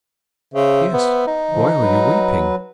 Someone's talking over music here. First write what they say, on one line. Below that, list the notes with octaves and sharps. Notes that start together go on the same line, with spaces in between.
'Yes, why are you weeping?'
C#3 C5 E5
B3
D#4
D3 F3
F#3 B4